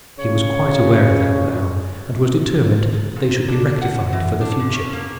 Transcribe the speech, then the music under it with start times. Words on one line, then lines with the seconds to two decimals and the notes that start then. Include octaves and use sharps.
He was quite aware of that now, and was determined that they should be rectified for the future.
0.18 C#3 C#5
3.16 A#2
3.48 D4
3.82 F#5
4.13 E3
4.41 D4
4.60 D3
4.73 C#4
4.93 A#3